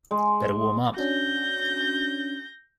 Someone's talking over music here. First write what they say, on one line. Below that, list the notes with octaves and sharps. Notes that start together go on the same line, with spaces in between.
Better warm up.
G#3
C#4 D4 F#4 G6 A#6